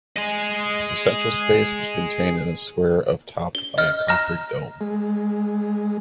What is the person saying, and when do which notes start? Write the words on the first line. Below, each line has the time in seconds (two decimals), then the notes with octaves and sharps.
The central space was contained in a square of topped by a coffered dome.
0.17 G#4 D#5
3.55 G7
3.78 D#5 F6
4.08 A#5 F6 A#6
4.81 G#3